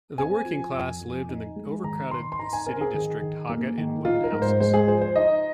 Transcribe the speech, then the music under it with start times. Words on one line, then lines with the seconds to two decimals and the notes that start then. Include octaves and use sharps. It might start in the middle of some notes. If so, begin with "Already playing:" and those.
The working class lived in the overcrowded city district Haga in wooden houses.
0.18 C4 G#5
0.45 F3
0.73 F2
1.01 F2
1.29 D#4
1.56 G#3
1.84 D#3 A#5
2.11 D#3 C6
2.32 C6
2.39 D#4 A#5
2.53 G#5
2.66 C4 A#4
2.81 G#4
2.94 D#3
3.22 D#3
3.49 A#3
3.78 D#3
4.05 D#4 F4
4.24 A#4
4.32 G#2
4.42 C5
4.60 G#3 C5
4.74 G#4
4.88 F3 C5
5.02 C5
5.16 D#4 D#5